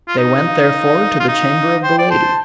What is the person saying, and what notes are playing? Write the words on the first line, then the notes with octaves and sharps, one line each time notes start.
They went therefore to the chamber of the lady.
F4
D#4
F5
F4
D#4
C5 G5
D5
C5 A5